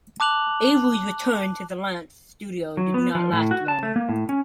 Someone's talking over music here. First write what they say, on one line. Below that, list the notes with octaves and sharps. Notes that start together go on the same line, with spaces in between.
Avery's return to the Lantz studio did not last long.
A5 D6 F#6 F7 F#7
F#3
B3
F3
A2
F#4
A5
A3
A#3
A2
C#4